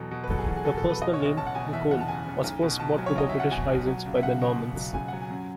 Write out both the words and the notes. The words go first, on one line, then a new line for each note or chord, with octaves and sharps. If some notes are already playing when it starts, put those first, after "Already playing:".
The personal name "Nicol" was first brought to the British Isles by the Normans.
Already playing: E2 B2 F#3 A4
B2
B4
F#3 A4
G#4
E2 F#4
G#4
B2 A4
A4
E2
B4
B2 D#5
C#5
F#1
D#5
F#1 A5
F#5
B2 G#5
E2 E5
E2 F#5
A5
F#1 G#5
F#1
B1
B2
B2 A5
F#3
C#5
B1 D#5
F#3 E5
F#5
B2 G#5
B2
F#3
C#2
E5
C#2 F#5
B2
B2
F#3
C#2 G#5
F#3 F#5
G#5
F#2